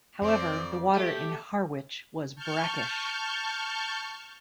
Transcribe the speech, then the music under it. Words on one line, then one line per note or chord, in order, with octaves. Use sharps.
However the water in Harwich was brackish.
F2 C4 D5
A3 G4
A5 C#6 F6 G6